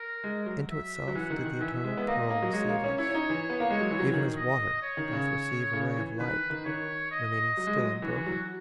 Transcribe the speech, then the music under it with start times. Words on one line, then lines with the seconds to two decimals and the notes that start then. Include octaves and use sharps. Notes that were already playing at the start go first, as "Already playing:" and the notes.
Into itself did the eternal pearl Receive us, even as water doth receive A ray of light, remaining still unbroken.
Already playing: A#4
0.24 G#3
0.46 F#3
0.70 E5
1.08 F#3
1.15 E3 F#5
1.30 D#3
1.46 D#3
1.61 E3 E5
1.84 G#3
1.97 B3
2.07 A#3 D#5
2.30 A#3
2.42 F#3
2.53 G#3 C#5
2.69 A#3
2.84 C#4
2.98 E4 C#5
3.09 C#4
3.15 D#4
3.30 E3
3.49 B3
3.60 A#3
3.70 G#3
3.81 F#3
3.91 E3
3.99 F#3
4.06 E3
4.14 D#3
4.36 D#5
4.82 C#5
4.97 D#3
5.13 C#3
5.73 C#3
5.97 E3
6.19 D#3 B4
6.50 D#3
6.65 D#3 C#5
7.11 D#5
7.57 F#3
7.67 G#3
7.77 F#3
8.02 E3 F#4
8.16 E3
8.26 F#3